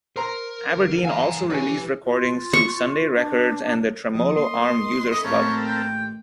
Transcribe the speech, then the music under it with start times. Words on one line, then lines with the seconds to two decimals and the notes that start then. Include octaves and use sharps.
Aberdeen also released recordings through Sunday Records and the Tremolo Arm Users Club.
0.16 A#4 C5 A#5
0.73 D3 E3 C7
1.05 F5 G#5 A#5
1.50 E4 G4 B4 C#5 G#5
2.04 F4
2.53 C#6
3.15 D4
4.15 F3 D#5
4.36 A#3 C6
5.11 C#4 E4 A4 D#5 B5
5.24 A1 D#2 C4 F4 A4 A#4 C#5
5.66 G5